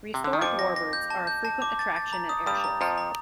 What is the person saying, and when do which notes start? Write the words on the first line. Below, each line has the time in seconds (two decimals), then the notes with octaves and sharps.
Restored warbirds are a frequent attraction at airshows.
0.14 C3
0.24 D3
0.33 D#3
0.41 F2 F3 D6
0.59 A#6
0.76 A#6
0.93 G6
1.10 A5
1.27 G6
1.45 A5
1.62 D6
1.79 A6
1.96 A6
2.13 A#5
2.29 D#6
2.46 G2 G3 D#6
2.64 A#5
2.81 F2 F3 A#5
2.98 A#5